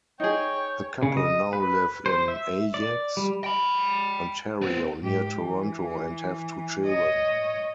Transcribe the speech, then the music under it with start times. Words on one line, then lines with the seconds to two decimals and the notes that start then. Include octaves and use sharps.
The couple now live in Ajax, Ontario, near Toronto, and have two children.
0.20 D#4 G#4 C#5 G5
1.03 C#3
1.17 D#5
1.53 B4
2.06 C5
2.28 E5
2.74 D5
3.17 G3
3.44 G5 B5
4.62 B3 C5
5.00 G#2 G4
5.38 E3
6.85 C#5 D#5